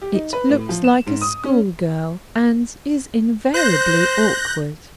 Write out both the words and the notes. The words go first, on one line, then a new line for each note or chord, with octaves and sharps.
It looks like a school-girl, and is invariably awkward.
G4
D#4
B4
A2
F3
E7
G#2
D#6
C#4
C5 F#6 G6 A#6